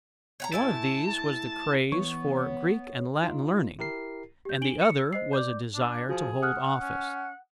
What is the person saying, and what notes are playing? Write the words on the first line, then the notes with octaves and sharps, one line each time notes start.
One of these was the craze for Greek and Latin learning, and the other was a desire to hold office.
C#5 F#5 A#5
A2 E4 G#5 A5
E3 B3 C#5
D#4 F4
E4 G4 A#4 C7
G4 G6
D4 D7 F#7 G7
C#7
E6
C5 D#5 C7
D5 D6 G6
D4
F3 F#4 G#4
F#5 D#6 F6 F#6
C#4